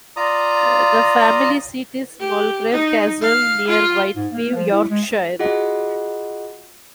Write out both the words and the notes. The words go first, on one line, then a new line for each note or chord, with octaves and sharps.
The family seat is Mulgrave Castle near Whitby, Yorkshire.
F4 D5 A#5 D#6
G4
D#4
F5
F4
G#2
A#3
F3
E4
G#3
F4 F#4 G#4 D#5 F#5